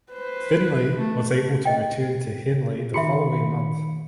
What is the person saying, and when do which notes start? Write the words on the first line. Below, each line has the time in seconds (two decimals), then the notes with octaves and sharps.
Finlay was able to return to Henley the following month.
0.13 B4 C5
0.98 A3
1.65 D#5 G5
2.94 D#3 F#4 G#4 E5 B5 C#7